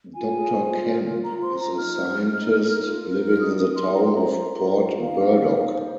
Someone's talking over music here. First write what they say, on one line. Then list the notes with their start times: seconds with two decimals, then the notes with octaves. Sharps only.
Doctor Kemp is a scientist living in the town of Port Burdock.
0.16 F4 G#5
0.34 G#4
0.52 C5
0.70 F4
0.88 A#4
1.06 F4
1.24 F4 A#5
1.42 C5 C6
1.59 F4 A#5
1.78 D#4 F6
1.96 C5
2.14 D#4
2.32 D#4
2.49 A#4
2.68 D#4
2.86 F4
3.03 A#4
3.21 F4
3.29 F6
3.40 D#4 D#6
3.58 A#4 D#6
3.76 D#4 C6
3.93 F4 A#5
4.05 C6
4.12 C5 A#5
4.30 F4
4.47 F4
4.66 C5
4.83 F4
5.01 D#4 F5
5.19 A#4
5.37 D#4
5.56 D#4
5.73 C5